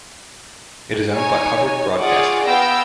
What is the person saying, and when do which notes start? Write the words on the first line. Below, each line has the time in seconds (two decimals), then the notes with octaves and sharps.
It is owned by Hubbard Broadcasting.
1.13 D#4 C#5 G#5
1.97 F4 G#4 D5 F#5 C#6 D6
2.44 B3 F5 G5 E6 G6 A#6